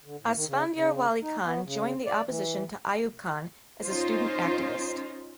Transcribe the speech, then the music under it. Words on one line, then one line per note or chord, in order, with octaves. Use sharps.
Asfandyar Wali Khan joined the opposition to Ayub Khan as a student activist.
D3
A2
D#3
C#3
C#3
D#4
B3
C#3
D5
E3
C#4 D#4 F4 C5